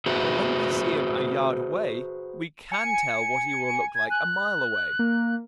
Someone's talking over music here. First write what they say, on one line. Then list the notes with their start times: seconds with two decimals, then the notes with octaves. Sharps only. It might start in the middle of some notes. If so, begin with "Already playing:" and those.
But when we see him a yard away, we can tell what he will look like a mile away.
0.06 F#4 G#4 B4 C5 E5
2.72 G#5 C#7
3.95 G#6
4.10 F#6
4.99 A#3